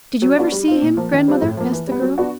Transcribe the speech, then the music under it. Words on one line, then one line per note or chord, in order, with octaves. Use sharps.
"Did you ever see him, grandmother?" asked the girl.
F#3
B3 D4 F#4
G3
C4 F4
A#2
F3 A#3
D#3
G3 C4 F4
A2
F3 A#3
E3
G3 B3
F#3
B3 D4 F#4